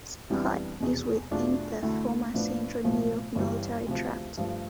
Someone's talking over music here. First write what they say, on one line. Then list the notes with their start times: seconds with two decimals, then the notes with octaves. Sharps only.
Scott is within the former Central New York Military Tract.
0.30 F2 E3 G3 B3 D4
0.80 F1 E2 B2
1.31 E2 B2 A3 D4 F4
1.82 D2 D3 A3 E4
2.34 A2 F3 B3 D4
2.84 B1 A2 F3 A3
3.35 G1 G2 E3 G3
3.86 D2 C3 F3
4.38 G2 F3 A3